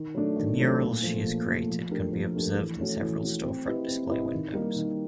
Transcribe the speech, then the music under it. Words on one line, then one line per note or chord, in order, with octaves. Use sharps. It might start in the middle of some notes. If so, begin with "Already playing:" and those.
The murals she has created can be observed in several storefront display windows.
Already playing: D#3
F#3 A3 D4
D#3
F#3 A3 D4
A#2
F3 A3
A#2
F3 A3
F3
A3 D4 G4 A#4
F3
A3 D4 G4 A#4
E3
A3 C#4 F#4
E3
A3 C#4 F#4
C4
E4 G4 B4 D#5
C4
E4 G4 B4 D#5
D#3
G3 A#3 D#4 G4
D#3